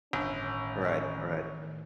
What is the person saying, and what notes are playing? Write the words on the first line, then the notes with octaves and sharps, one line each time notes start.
Right, right.
G1 A2 D#3 C#4